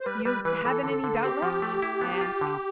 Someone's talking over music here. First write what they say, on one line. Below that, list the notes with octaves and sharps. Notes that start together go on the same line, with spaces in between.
"You haven't any doubt left?" I ask.
C5
G3 B4
G3 B4
E3 B4
E3 A4
D3
D3
C4 G4
F3
A3
E4
B3
F4
D3